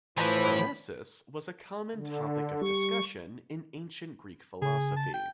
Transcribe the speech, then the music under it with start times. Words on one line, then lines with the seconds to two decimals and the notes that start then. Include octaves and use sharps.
Phronesis was a common topic of discussion in ancient Greek philosophy.
0.18 A2 E3 F3 B4 C5 B5
1.95 D3
2.61 G3 C#6
4.62 C#3 G#4
4.96 A5
5.14 G5